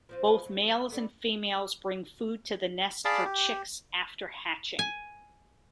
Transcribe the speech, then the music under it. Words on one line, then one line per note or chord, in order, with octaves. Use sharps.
Both males and females bring food to the nest for chicks after hatching.
F3 C4 F4
F3 F4 B4
F#3
G3 A3 B3
G#4 D5 F5 A5 B5 D6
G4
G#5